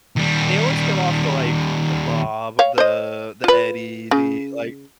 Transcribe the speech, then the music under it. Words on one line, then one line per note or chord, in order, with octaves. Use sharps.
They always kill off the, like, the Bob, the the Eddie, the like,
D#2 G3
C#5 F5
C5 D#5
F4 B4
C#3